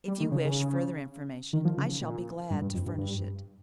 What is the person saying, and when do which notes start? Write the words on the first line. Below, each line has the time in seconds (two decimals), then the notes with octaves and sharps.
If you wish further information, I shall be glad to furnish it.
0.08 G3
0.20 D#3
0.32 C#3
0.44 C#3
1.53 D#3
1.65 F3
1.77 C#3
2.02 A#2
2.50 G2
2.62 G2
2.75 F2
2.86 G2
2.98 G2